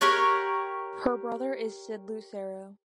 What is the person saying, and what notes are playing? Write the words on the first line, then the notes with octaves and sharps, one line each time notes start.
Her brother is Sid Lucero.
G4 A#4 C#5 F#5